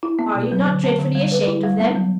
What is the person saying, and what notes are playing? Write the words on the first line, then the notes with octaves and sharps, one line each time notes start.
"Are you not dreadfully ashamed of them?"
E4
B3
B2
F#3
D3
B3
D3
G3
B4
E4
G3
B3
F#3